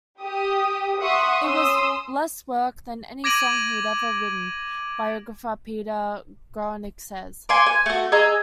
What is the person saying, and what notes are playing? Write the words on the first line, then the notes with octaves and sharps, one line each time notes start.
"It was less work than any song he'd ever written," biographer Peter Guralnick says.
G4 D#6
E5 F#5 C6 C#6 D#6
C#4 C6 D#6 E6
D6 G#6 A#6 D7 D#7 F#7
C#5 G#5 C6 D6
G#5
A3 F#4
G#4 D#5 A#5 E6